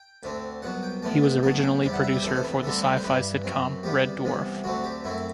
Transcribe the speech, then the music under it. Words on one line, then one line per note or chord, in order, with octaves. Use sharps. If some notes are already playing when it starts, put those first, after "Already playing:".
He was originally producer for the sci-fi sitcom "Red Dwarf".
Already playing: G5
D2 D3 A3 C4
C2 B2 F#3 F#5
G5
A1 A2 E3 B3 A5
G5
A2 F#3 B3 A5
G5
E2 C3 E3 G3 G5
F#5
E5
G4
D2 C3 E3 B3 A4
C5
B4
D2 D3 G3 C4 A4
B4
C5
G2 E3 G3 B4
F#2 F#3 C4
E2 C3 G3 B3 G4
C2 C3 E3 B3
D2 D3 F#3 A3 C4 F#4
G4
F#2 F#3 A3 C4 E4